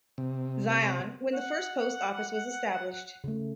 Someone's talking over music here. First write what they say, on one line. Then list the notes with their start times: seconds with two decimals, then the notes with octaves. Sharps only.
Zion when the first post office was established.
0.18 C3
1.34 F#5
3.24 C#3 A3